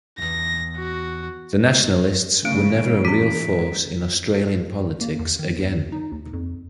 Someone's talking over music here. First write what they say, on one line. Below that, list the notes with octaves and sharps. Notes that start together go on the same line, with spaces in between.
The Nationalists were never a real force in Australian politics again.
E2 G#2 A#6
F#4
C#3 E3 G#3 A3 D7
C#4 F#4 B6
A#3
E2
D#3
E2
D#4
D#2
F2